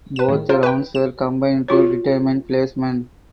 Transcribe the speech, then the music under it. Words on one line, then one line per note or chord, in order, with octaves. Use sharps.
Both rounds were combined to determine placement.
B4 E7
A2 D#3
F4 A#4 C5
B4 G5
E7
F4 F#4 C#5